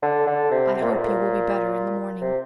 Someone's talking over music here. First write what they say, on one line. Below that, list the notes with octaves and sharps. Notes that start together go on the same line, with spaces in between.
"I hope you will be better in the morning."
D3
D3
C3
C3
A#2
A2
A#2
C3